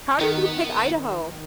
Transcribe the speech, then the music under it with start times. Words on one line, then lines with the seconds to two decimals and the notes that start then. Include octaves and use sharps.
How did you pick Idaho?
0.20 D#3 B3